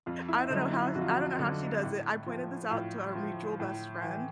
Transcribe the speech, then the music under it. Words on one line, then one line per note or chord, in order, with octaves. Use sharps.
I don't know how sh I don't know how she does it, I pointed this out to our mutual best friend,
F2 F4
E4
D3 F#3 D#4
E4
F2 F#4
F4
F#4
D3 F#3
A2
F3
A2 F4
F3
A2
E3